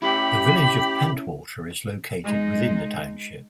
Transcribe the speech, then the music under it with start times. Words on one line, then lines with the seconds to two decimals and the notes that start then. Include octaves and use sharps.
The Village of Pentwater is located within the township.
0.02 C#4 E4 G4 B5
2.24 G#3 D#4